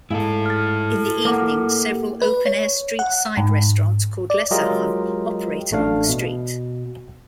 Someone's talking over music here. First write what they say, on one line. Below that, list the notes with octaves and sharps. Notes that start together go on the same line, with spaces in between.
In the evening several open-air street side restaurants, called "lesehan", operate along the street.
G#2 E4 A4 F5
F6 A6
A#3 F#5 D6 F6
G4
B4
C#5
F#5
G#2
D5
F#3 G#3 F4 G4 A#4 D#5
A1 A3 D4 F5
B2